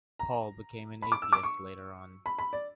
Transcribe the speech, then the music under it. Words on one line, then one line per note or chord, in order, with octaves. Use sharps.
Paul became an atheist later on.
A#5
B5
D6
E6
D6
C#6
B5
B5
D5